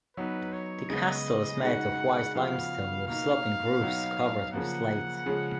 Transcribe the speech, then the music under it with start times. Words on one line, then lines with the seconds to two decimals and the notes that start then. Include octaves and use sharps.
The castle is made of white limestone, with sloping roofs covered with slate.
0.17 F#3 B3 D#4 B4
0.53 C#5
0.90 C#3 G#3 B3 D#5
1.62 C#3 G#3 D#4 F#4 F#5
2.35 C#3 F3 B3 F#4 F5
3.07 B2 A#3 D#4 F5
3.80 B2 F#3 B3 D#4 F#4
4.52 C#3 F3 A#3 F#5
5.26 C#3 F3 G#3